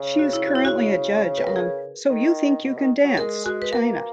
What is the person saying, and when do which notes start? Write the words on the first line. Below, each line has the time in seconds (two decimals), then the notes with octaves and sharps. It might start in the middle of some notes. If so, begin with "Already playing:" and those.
She is currently a judge on So You Think You Can Dance China.
Already playing: C#3
0.19 F#4
0.33 E4
0.47 F#4
0.56 E4
0.65 F#4
1.37 B4
1.47 A#4
1.56 G#4
2.09 D#3
2.64 B2
2.77 D#3
3.04 F#3
3.17 G#3 A#4
3.45 G#3 F#4
3.62 B4
3.72 A#3 A#4